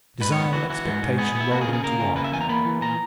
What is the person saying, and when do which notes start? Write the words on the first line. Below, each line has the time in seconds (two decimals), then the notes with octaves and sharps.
Desire and expectation rolled into one.
0.21 G#2 B4
0.32 C#5
0.37 B3
0.53 E3 F#4
0.70 E3 F#4
0.86 G#2
1.02 G#2
1.18 B3 G#4
1.35 B3
1.40 E4
1.51 A#3 F#4
1.61 G#4
1.67 C#3
1.73 G#4
1.84 A#3 A#4
2.00 C#3
2.16 A#3 B4
2.24 E5
2.33 E2 G#5
2.41 A#5
2.49 A#3 B5
2.65 E3
2.81 A#2 A#5